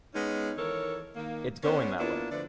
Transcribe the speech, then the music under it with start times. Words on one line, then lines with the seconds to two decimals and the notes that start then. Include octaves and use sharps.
It's going that way.
0.14 G#3 B3 C#4 D#4
0.58 D#3 E3 A4 A#4 C#5
1.16 D#3 A#3
1.64 B3 C#4 D4 C5
1.98 A#3 B3 D4 E4 F4
2.31 D3 F3 A3 B4 D5